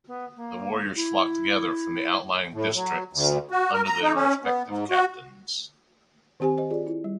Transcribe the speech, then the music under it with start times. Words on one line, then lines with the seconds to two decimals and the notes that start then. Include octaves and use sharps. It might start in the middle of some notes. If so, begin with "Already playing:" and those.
The warriors flocked together from the outlying districts under their respective captains.
0.07 B3
0.36 A#3
0.95 E4
2.54 A2
2.75 F#3
3.13 D2
3.51 F#4
3.72 A#4
3.85 A#5
4.03 D#4
4.16 C#4
4.44 B3
4.67 G#2
4.90 F#4
6.40 D#3 C4 G4 C5 G#5
6.57 G4 C5 D#5
6.70 F4 G#4 D5
6.87 E4
7.04 G3